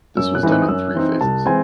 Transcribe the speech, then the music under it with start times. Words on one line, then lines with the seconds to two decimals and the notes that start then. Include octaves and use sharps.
This was done in three phases.
0.17 F#2 E6
0.35 F#6
0.43 E3 C4 D#4
0.52 F#6
0.62 D#6
0.68 F#2 E6
0.94 E3 C4 D#4
1.21 C2 A5
1.46 E3 G#3 C4 G#5